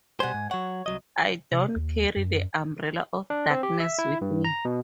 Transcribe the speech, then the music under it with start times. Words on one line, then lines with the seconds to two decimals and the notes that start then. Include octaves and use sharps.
I don’t carry the umbrella of darkness with me.
0.20 B2 G3 C5 F#5 G#5
0.34 G#2
0.51 F#3 C#5 F#5
0.86 C2 F#3 D#5
1.51 C3
1.76 D#2
2.16 F#2
3.30 D4
3.50 C4
3.63 G4
3.80 E5
3.99 E4
4.21 G2
4.45 A#5
4.65 B2